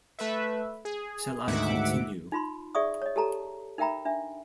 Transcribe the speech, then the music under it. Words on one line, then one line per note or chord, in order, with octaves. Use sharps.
Shall I continue?
A3 B4 E5
G#4
D2 G#2 D#3 E5 F#5 D6
D#4 F4 B5 C6
G#4 D5 E5 C#6 D#6
C#5 D#5
G4 A4 A5 A#5
D#4 A#4 E5 G5 A#5 B5
D4 E5